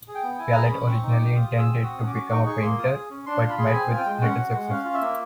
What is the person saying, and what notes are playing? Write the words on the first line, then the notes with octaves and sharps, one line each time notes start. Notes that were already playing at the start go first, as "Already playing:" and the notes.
Pialat originally intended to become a painter, but met with little success.
G#4
G5
B3
E4 G#5
G#4 A#5
B5
C#4
C4 C#6
D#4
D6
G4
F4 D#6
G#4
E6
C4
F#4 D#6
C#4
D6
F#4
D#4 C#6
G#4 C#6
A#3 C6
F4 D#6
G#4
C#4
D4 C6
F4
B5
G#4 C6
B5
C4 G#5
F4
G5
G#3
C#4 F#5
F#4
G#3
C#4 F5
F4
E5
A#3